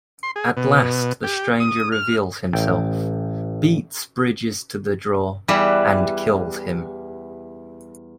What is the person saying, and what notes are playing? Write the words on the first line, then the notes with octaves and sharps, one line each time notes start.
At last the Stranger reveals himself, beats Bridges to the draw, and kills him.
C6
G#4
B2
G4
D#6
F6
A1 G5
E2 E3 G3 B4